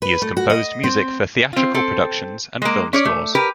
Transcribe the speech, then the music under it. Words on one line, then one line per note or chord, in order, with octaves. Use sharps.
He has composed music for theatrical productions and film scores.
B4
A3
F#4
D#5
C4
C4 F4
C4 A4
G#3 A#3
C#4 C#5 D5
A3
G4 A#4 B4